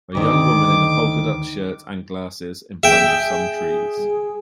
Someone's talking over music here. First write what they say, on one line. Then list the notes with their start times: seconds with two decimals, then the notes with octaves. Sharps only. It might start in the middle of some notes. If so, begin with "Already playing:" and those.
A young woman in a polka dot shirt and glasses in front of some trees.
0.15 D2 D#3 D6
2.83 G#4 E5 G5